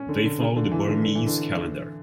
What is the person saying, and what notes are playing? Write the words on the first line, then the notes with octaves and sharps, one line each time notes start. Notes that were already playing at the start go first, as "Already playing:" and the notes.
They follow the Burmese calendar.
Already playing: C#4
D3
D3
C#3
D3
E3
D3
D3
E3
D3